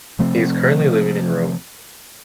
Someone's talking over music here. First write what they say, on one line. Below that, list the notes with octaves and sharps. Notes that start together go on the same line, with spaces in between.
He is currently living in Rome.
C3 F3 A3 C4